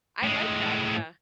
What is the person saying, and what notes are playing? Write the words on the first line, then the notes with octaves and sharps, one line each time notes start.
I like that, yeah.
A2 G#3